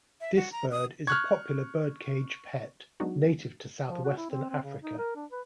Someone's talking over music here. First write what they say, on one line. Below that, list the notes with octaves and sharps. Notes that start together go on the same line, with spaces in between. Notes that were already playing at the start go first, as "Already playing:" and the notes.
This bird is a popular birdcage pet, native to southwestern Africa.
E5
F#4
A#5
D#6
C#6 F6 F#6 G#6
F#3 G#3 B3 D4 D#4 F#4
F3
F#4
E4
C4
C4
C#3
D#4
A#4
D4
B4